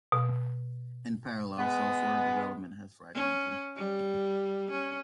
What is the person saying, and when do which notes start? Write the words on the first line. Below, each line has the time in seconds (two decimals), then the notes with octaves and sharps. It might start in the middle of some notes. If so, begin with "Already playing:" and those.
In parallel, software development has fragmented.
0.12 B2
1.58 G#3 B3
3.14 C#4
3.77 G3
4.71 C#4